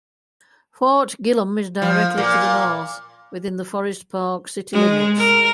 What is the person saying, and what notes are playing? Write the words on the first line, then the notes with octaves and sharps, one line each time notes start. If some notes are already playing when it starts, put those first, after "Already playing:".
Fort Gillem is directly to the north, within the Forest Park city limits.
F3
A#2
G#3
A#4